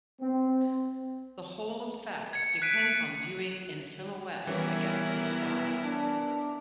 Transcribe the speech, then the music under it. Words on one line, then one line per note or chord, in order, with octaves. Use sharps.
The whole effect depends on viewing in silhouette against the sky.
C4
G#6 C#7
F#6 B6 C7 D7 D#7
E3 G3 B3 C#4 E4 A#4
D4